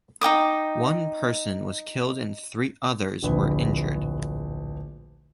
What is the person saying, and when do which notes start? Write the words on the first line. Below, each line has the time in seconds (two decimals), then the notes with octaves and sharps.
One person was killed and three others were injured.
0.21 D#4 G5 D6 D#6
3.23 D1 A#1 B4